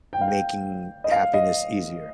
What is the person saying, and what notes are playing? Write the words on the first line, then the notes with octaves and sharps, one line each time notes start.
making happiness easier,
G5
F5
G5
D#5
F5
D#5